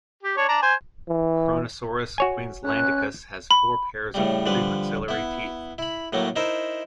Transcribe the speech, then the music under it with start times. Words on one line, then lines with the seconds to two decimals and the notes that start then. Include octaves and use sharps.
"Kronosaurus queenslandicus" has four pairs of premaxillary teeth.
0.23 G4
0.37 D4 C#5
0.49 D4 A#5
0.62 C5 G#5
1.08 E3
2.18 F#4 C#5 G#5
2.64 C#4 F#6
3.51 B5
4.14 A2 C#3 G3
4.46 D3 F3 G3 B4
5.08 B3 E4
5.78 E4 B5
6.13 A2 F#3 A3 A#3
6.36 D#4 E4 A#4 C5 E5